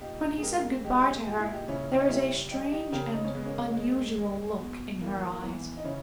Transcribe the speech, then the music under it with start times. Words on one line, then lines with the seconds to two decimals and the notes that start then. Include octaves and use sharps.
When he said good-by to her, there was a strange and unusual look in her eyes.
0.01 A#2 D#4 G4
0.38 G#4
0.43 G#3 G4 A#4
0.84 G#3 D#4 G4
1.26 A#2 G4
1.40 E4
1.52 D#4 G4
1.68 C#3 C#4 E4
1.98 D#4
2.09 G3 C#4 E4
2.51 G3 D#4 G4
2.72 D#4 G4
2.92 C#3 G4 A#4
3.13 D#4
3.24 C#4
3.35 G#3 B3
3.45 A#3 C#4
3.76 G#3
4.18 G#3
4.60 B2
5.01 E3 A#3
5.33 A#3
5.43 E3 B3
5.77 D#4
5.84 C#3 C#4 E4